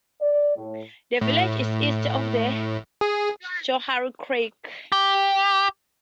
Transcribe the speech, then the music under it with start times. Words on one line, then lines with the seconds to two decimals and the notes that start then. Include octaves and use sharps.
The village is east of the Schoharie Creek.
0.21 D5
0.56 A2
1.21 A2
3.01 G#4
4.92 G4